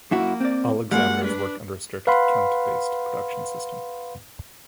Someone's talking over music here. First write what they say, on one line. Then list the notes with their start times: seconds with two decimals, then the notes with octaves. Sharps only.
All examiners work under a strict, "count"-based production system.
0.11 F#2 A#3 E4 F#4
0.40 C4 D5
0.91 G3 G#3 A#3 F#4 F#5
1.24 D4 B4
2.07 B4 F5 F#5 B5 C6